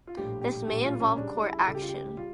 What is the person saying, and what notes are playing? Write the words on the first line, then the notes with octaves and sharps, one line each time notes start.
This may involve court action.
F4
A#1 A2 G3 G4
G4
A#1 A2 G3 G4
F4
C#4
C#2 C#3 G3 D4
E4
C#2 C#3 G3 A4
G4
F4
G4
G3 F4